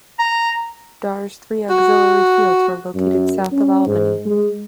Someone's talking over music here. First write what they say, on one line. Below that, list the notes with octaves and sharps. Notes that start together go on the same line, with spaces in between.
Darr's three auxiliary fields were located south of Albany.
A#5
F#4
F#2
C#4
G#2
G#3